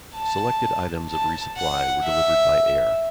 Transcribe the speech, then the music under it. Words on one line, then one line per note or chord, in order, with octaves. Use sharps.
Selected items of resupply were delivered by air.
A5
A5
F#5
E5